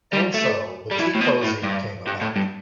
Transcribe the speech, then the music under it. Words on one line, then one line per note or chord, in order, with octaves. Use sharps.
And so, the tea cosy came about.
G3
A3
G3
E3
A2
B2
A2
G2
G2
A2
G2